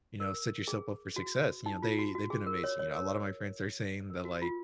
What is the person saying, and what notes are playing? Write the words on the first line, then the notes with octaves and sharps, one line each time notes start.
you know, set yourself up for success. You know, they they've been amazing, you know, a lot of my friends are saying that, like,
A#4
G#4
F#4
D#4
F4
F#4
F#4
G#4
A#4
C#5
C#5
A#4
A#4
F#4
F4